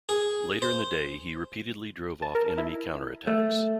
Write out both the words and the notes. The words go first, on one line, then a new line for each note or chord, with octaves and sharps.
Later in the day he repeatedly drove off enemy counter-attacks.
G#4
C5
A5
A#4
E4
A3